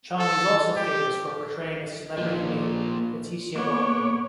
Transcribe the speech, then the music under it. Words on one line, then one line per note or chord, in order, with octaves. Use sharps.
Chong is also famous for portraying a celebrity maid, Leticia Bongnino.
A4
G4
F3 A#3
A#3 B3 C#5 C#6 D6